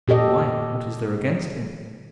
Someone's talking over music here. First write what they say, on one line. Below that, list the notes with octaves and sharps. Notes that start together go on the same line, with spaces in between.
"Why, what is there against him?"
A#2 G4 A4 D#5